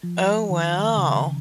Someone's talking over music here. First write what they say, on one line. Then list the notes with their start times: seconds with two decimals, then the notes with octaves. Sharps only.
Oh, wow.
0.03 F3
0.50 D#3
0.97 C#3